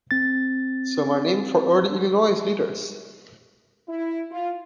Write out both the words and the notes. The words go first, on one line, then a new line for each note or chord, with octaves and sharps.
Some are named for early Illinois leaders.
C4 A6
E4
F4